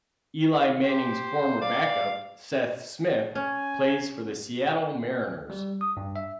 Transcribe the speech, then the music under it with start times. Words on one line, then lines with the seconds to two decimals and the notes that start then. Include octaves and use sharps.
Eli Manning's former backup, Seth Smith, plays for the Seattle Mariners.
0.83 G4 C5
1.61 D5 F5
3.35 C#4 G#5
5.50 G3
5.81 D#6
5.97 G2
6.16 E5